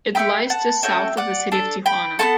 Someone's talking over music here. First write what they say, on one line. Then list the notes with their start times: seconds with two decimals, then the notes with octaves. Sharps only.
It lies just south of the city of Tijuana.
0.15 A3 E4 G4 G5 B5
0.50 F#5 A5
0.83 C#4 F#4 A4 E5 G5
1.17 D5 F#5
1.52 D4 A4
1.86 G5 B5
2.19 B3 F#4 A4 F#5 A5